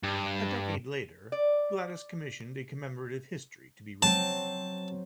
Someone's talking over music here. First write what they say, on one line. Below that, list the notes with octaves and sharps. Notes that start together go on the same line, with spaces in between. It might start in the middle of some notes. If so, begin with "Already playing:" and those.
A decade later, Gladys commissioned a commemorative history to be written.
G2
D5
F#3 C4 A5